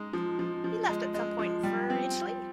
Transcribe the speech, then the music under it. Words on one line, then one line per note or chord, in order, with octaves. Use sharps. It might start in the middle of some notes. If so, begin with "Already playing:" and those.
He left at some point for Italy.
Already playing: G#3 D#4
F3
F3
F3
G#3
G#3
F3
G3
C4